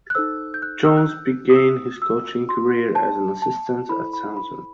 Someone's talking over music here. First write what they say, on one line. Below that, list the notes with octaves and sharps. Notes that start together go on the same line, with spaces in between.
Jones began his coaching career as an assistant at Southern.
F#6
D#4 A4 C5 E6
G6
F#6
E6
F#6
G6
D#6
E6
E6
C6
A5
A5
E4 A4 C5 B5
B5
B5